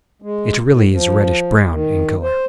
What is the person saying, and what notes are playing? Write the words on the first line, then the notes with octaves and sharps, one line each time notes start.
It really is reddish-brown in color.
G#3
A2
F3
D#3
C5